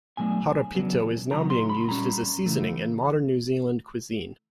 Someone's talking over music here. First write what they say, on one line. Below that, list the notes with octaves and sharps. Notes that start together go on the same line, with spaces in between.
Horopito is now being used as a seasoning in modern New Zealand cuisine.
B2 F#3 A3 D4 G#5
E2 C#3 F#3 B3 D4
C#3 F#3 B3 D#4 A#5
C6
B5
A#2 G3 A#3 C#4 A#5
C#3 E3 A3